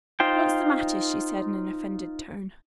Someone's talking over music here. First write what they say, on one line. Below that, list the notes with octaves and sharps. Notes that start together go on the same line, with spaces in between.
"What's the matter?" she said in an offended tone.
D#4 F4 C5 G5